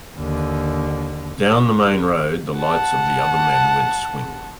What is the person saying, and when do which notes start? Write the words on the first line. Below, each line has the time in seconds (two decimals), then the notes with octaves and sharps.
Down the main road the lights of the other men went swinging.
0.19 D#2 D3
2.58 F#5 A5